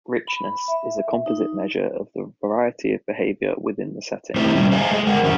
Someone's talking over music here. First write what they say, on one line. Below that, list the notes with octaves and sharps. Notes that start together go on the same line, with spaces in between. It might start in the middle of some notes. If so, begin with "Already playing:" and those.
Richness is a composite measure of the variety of behavior within the setting.
B5
E5
D#4
A3 C4 E4 G4 C5
C3 G3 C#4
G#4 C5 D#5 F5 G#5
G#3 G#4
G#4 A#4 C5 F#5
E3 C#4 F#4 F#5